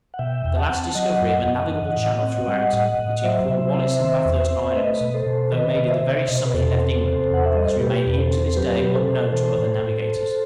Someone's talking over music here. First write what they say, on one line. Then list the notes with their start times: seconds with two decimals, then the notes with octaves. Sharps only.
The last discovery of a navigable channel throughout, between Cornwallis and Bathurst Islands, though made in the very summer he left England, has remained even to this day unknown to other navigators!
0.14 F#5
0.19 B2 E5 G5
0.44 E2 G5
0.57 F#5 A5
0.70 C4
0.95 F#3 D#5 F#5
1.21 F#2
1.45 F#2
1.71 E3
1.97 A2
2.22 C4
2.47 G3
2.73 A2
2.99 A2
3.24 F#3 C5 E5
3.49 C3
3.74 C4
4.00 D#3
4.25 E2
4.51 C4
4.76 A3 B4 D#5
5.01 B2
5.14 A4 C5
5.26 B2
5.52 D#3 B4 D#5
5.77 C3
5.90 C5 E5
6.03 C3
6.28 B2 D#5
6.37 C5
6.45 B4
6.53 E2 A4 C5
6.79 C4
7.04 C3
7.30 E2 F#5
7.45 E5
7.55 G3 D#5
7.68 C5
7.80 B2 G4 B4
8.06 E2
8.18 A4 C5
8.31 C4
8.47 A4
8.56 F#3 G4 B4
8.82 B2
8.95 A4 C5
9.08 B2
9.32 E3 A4 C5
9.58 A2
9.83 A2